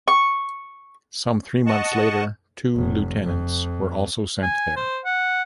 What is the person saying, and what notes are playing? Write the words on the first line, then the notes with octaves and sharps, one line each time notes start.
Some three months later, two lieutenants were also sent there.
C#6
D#5 F#5 A5 C#6
F1
F2
G#5
C5
F#5